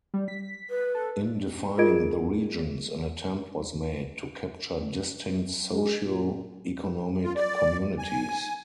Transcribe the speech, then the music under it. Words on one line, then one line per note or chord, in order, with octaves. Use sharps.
In defining the regions, an attempt was made to capture distinct socio-economic communities.
G3
B6
B4
A4
F4 G#4 A#4 D#5 G#6 D7
G#3
A#2
F4
D5
G#5